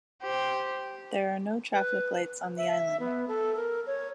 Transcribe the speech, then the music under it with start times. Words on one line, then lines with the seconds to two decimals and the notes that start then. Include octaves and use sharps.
There are no traffic lights on the island.
0.23 G4 C5
1.73 B4
2.57 E5
3.00 B3
3.28 A4
3.56 A#4
3.86 C#5